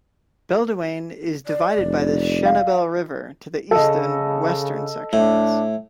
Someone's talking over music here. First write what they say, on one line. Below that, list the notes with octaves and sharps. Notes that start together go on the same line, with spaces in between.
Beledweyne is divided by the Shebelle River into eastern and western sections.
D5
F1
F5
C#3 A4 D#5
A2 D4